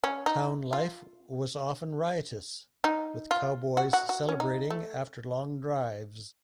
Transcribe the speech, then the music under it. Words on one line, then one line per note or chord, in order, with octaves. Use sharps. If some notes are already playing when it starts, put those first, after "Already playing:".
Town life was often riotous with cowboys celebrating after long drives.
C#4
D#4
F4
D#4
F4
F#4
F#4
F#4
C#4
D#4
A3